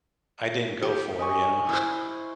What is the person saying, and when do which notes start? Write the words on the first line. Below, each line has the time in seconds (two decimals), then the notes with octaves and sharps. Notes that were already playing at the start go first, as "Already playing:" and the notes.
I didn't go for, you know?
0.82 G4
1.19 D#5 G#5 C#6
1.69 E4 C5